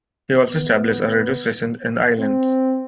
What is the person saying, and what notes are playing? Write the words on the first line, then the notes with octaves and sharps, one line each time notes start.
He also established a radio station in the islands.
B3
C4